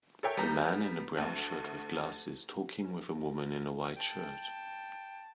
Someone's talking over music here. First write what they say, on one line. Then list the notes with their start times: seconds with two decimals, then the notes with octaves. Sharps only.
A man in a brown shirt with glasses talking with a woman in a white shirt.
0.23 A4 A#4 C#5 E5 G5
0.37 G3 B3 A#5 G6
1.18 D2 A3
3.97 G5 A5